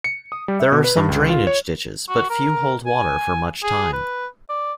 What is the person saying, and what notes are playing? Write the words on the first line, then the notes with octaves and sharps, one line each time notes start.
There are some drainage ditches, but few hold water for much time.
C#7
D#6
G3
E5
B2
B4
G2
C#2
F4
C#5
F#4
A#4
G#5
G#4
B4
D5